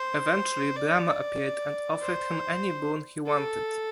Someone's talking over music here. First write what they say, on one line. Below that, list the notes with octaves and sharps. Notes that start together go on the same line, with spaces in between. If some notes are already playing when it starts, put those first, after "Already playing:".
Eventually, Brahma appeared and offered him any boon he wanted.
Already playing: C5
D5
C5
A4